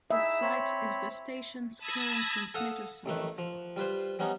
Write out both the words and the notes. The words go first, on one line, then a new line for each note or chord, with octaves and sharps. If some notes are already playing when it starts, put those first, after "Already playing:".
This site is the station's current transmitter site.
D#4 E4 G#4 E5
C4 C#5 B5
A5 B5 D#6 E6 G#6 A#6
A4 F5 F#5 D#6
A1 D#3 A3 B4
F3
G3 F4 B4 C5
G3 B3 C#4 D#4